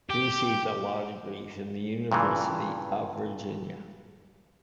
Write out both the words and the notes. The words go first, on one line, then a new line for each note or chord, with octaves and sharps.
He received a law degree from the University of Virginia.
G4
G2 A#2 C#3 E3